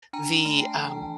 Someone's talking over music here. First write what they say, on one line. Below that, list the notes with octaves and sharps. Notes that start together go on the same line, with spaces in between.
the, um,
D4 G#5 A#5
A3
G5 A5
E3